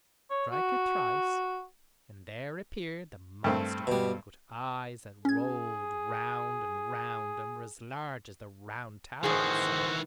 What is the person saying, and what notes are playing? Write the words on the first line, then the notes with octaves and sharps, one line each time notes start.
Strike it thrice and there appeared the monster dog with eyes that rolled round and round and were as large as the Round Tower itself.
C#5
F#4
G2 A3 C4
B2 G3
C#4 G#4 G#6
A2 D#3 E3 F#4 G#4 C5